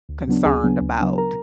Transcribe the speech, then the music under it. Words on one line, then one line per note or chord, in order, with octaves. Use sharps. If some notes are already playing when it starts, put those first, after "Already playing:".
concerned about
D2
C#3 F#3 B3 D4
D2 G#4 G#5
C#3 F#3 B3 D4
D2
C#3 F#3 B3 D4
A#4 A#5